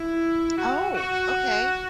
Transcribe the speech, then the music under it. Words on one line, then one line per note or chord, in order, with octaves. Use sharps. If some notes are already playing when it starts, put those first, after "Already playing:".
Oh, okay.
Already playing: E4
F#4
F#4